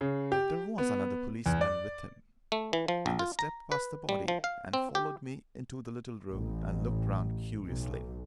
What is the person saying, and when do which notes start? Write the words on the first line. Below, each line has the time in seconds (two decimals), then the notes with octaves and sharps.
There was another policeman with him, and they stepped past the body and followed me into the little room and looked round curiously.
0.01 C#3
0.32 G4
0.78 B3
1.46 E2
1.61 D5
2.52 A3
2.73 E3
2.88 F3
3.06 A#1
3.19 F4
3.39 A#5
3.72 B4
4.09 G3
4.28 F3
4.44 F5
4.73 C4
4.95 G4
6.32 A1
7.65 B1